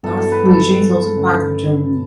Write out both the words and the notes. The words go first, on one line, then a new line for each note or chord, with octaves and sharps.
North Frisia is also part of Germany.
G2 E3 G3 B3 E4 A4
A4
B4
A4
G2 D3 A3 C#4